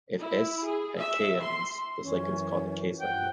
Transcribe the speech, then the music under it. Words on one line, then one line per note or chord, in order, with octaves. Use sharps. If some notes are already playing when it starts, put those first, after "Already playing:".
If "S" has "k" elements, the cycle is called a "k"-cycle.
E4
G#4
E5
C6
F#2 E3 C#4
G2 F3 F#5 G5